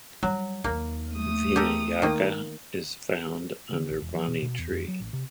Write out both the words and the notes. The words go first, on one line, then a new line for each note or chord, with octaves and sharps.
Vinayaka is found under Vanni Tree.
F#3 G3
D#2 A#3 D#4
A3 D#6
G4 A4 A#4
D#3 A#3
D3
A#1
E1
F3
B2
B2
E2
F2
F#3
A1
C3